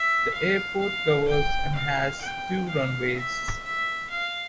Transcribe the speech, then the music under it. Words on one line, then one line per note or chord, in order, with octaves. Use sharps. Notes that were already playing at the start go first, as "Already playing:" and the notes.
The airport covers and has two runways.
Already playing: E5
F5
F5
G5
F5
G5
F5
E5
E5
F5